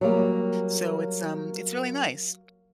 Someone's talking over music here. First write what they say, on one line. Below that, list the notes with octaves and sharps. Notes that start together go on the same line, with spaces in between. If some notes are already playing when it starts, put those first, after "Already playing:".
So it's, um it's really nice,
F#3 G3 A#3